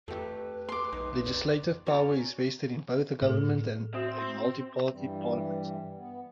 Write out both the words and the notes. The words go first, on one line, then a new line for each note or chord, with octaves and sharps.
Legislative power is vested in both the government and a multi-party parliament.
F2 A3 G4 B4
C6 D6
B1 D#4
F2 D5
C#4 F#4 C#5 D5 A#5
A2 G#4 A4
C4 F#4 E5
G2 E3 G3
B3